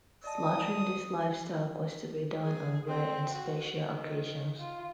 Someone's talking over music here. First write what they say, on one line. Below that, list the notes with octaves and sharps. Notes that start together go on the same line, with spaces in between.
Slaughtering this livestock was to be done on rare and special occasions.
D5 D#5 A5 D#6
G#4
C4
F#4
D#3
F4